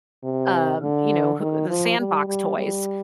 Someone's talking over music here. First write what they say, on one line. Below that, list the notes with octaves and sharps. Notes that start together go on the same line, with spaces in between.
um, you know, who the sandbox toys,
C3
D3
D#3
F3
G3
G3
G3